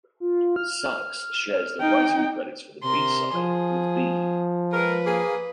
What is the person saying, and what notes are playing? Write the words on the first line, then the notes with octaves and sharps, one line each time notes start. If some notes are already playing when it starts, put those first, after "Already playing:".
Sachs shares the writing credits for the B side with B.
F4
F6
D#4 G5
C3 A#4 C6
F3 G#4
G#3 A#4 B4
A#3 G#4